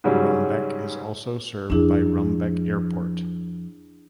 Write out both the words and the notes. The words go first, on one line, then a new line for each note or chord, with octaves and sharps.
Rumbek is also served by Rumbek Airport.
G#2 C#3 F#3 G3 C#4
F2 F3 D4 E4 G#4